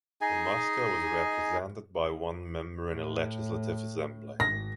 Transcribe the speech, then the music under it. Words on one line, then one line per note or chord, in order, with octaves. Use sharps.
Yamaska was represented by one member in the Legislative Assembly.
D#4 G#4 D#5 G#5
A2
G#1 A#6